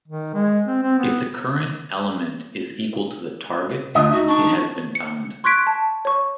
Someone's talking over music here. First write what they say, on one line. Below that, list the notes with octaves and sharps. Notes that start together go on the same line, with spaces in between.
If the current element is equal to the target, it has been found.
D#3
G#3
C4
C4
B3
D2 D4 F4 D#5
D#4 F#4 E5
D4 C#6
C#7
C6 C#6 F#6 G#6 B6 D7
A5
C#5 C#6